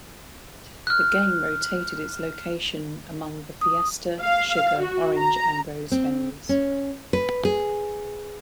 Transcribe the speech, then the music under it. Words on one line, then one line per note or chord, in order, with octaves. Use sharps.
The game rotated its location among the Fiesta, Sugar, Orange, and Rose venues.
F6 F#6
D#6
F5
F#4
A#5
C4
C#4
B4
G#4